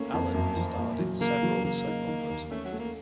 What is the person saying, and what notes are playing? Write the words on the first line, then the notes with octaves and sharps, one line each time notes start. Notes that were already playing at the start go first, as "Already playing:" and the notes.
Allan has starred in several soap operas.
Already playing: A3 A#3 C#4
F2
F#2
F3
A#2
F#3
C#3 A#3
F#3
C#3 A#3
D#4
D#3
D#2
A3 C#4
F#3
A3
A#3